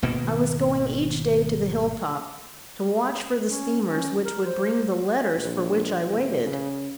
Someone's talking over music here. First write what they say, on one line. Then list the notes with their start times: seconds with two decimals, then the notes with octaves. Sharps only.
I was going each day to the hill-top to watch for the steamers which would bring the letters for which I waited.
0.02 G#1 B2 D#3 A#3
3.49 C#4
3.87 C#4
4.25 A#4
4.45 C5
5.38 A#1
6.08 E1
6.46 C#3